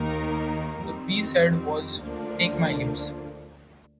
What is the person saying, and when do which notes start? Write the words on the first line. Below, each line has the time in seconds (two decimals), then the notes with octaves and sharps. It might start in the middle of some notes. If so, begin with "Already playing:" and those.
The B-side was "Take My Lips".
Already playing: D#2 D#3 A#3 D#4 A#4
0.82 F2 D#3 G3 C4
2.01 D2 D3 F3 A#3 D4